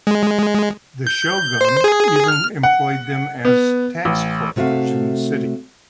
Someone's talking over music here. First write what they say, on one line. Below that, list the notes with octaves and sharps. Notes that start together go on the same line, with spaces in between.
The shogun even employed them as tax collectors in the city.
G#3
G6
C5
G#4
F6
F#5
B3
A1
C3 A3 F#4 E5 F5